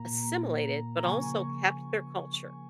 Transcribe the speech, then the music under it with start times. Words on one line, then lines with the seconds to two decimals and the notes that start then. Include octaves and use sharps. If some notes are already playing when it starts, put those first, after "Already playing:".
assimilated, but also kept their culture.
Already playing: A#2 A#3 A#5
0.99 A#5
1.04 C#3 F3 A#3 G#5 C#6